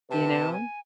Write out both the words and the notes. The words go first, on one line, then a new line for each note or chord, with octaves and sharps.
You know?
C3 B4 A5
G#5